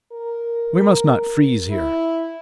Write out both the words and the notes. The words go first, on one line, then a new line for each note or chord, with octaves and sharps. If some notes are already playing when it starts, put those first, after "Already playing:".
"We must not freeze here."
A#4
E4